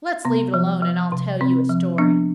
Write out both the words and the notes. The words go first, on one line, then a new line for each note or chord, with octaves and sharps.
Let's leave it alone and I'll tell you a story.
C3 B3
F3
F3
C3
C3 C4
F3
F3 B3 D4